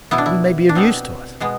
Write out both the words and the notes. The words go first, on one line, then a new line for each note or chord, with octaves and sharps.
"But he may be of use to us."
B2 B3 E4
D4
E4
D4
B2 B3 C4
B2 G#3 B3